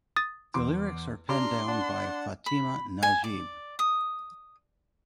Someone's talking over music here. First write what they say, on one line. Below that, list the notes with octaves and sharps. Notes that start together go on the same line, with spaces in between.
The lyrics are penned down by Fatima Najeeb.
D#6 A6
E2 C6 D6
D4 G4 A#5 C6 D6 F6
D4 F#5 A5
B5
G#5
D5
D#6